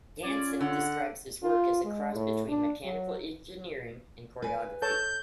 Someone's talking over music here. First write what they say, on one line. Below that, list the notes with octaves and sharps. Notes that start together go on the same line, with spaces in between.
Ganson describes his work as a cross between mechanical engineering and choreography.
C#4 F4 D5 G#6
D3 F#5
F4
G#3
A2
D4
F#3
B4 G#5
A4 C#5 A5 G6